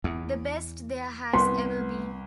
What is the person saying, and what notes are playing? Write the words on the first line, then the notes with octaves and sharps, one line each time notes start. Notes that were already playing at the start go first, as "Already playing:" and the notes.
The best there has ever been.
E2
C2 B3 C6